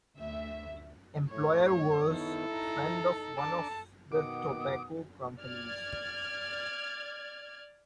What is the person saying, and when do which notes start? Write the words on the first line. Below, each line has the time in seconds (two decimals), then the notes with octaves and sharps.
Employer was friend of one of the tobacco companies.
0.19 D2 E5
1.30 A2 C#5
2.10 D#3 B3 D#4 E4 A4
2.52 D#4 A#5
3.38 D4 A5 A#5 D6
4.12 B2 D#3 F#5 D6 D#6
5.39 D5 F6 G#6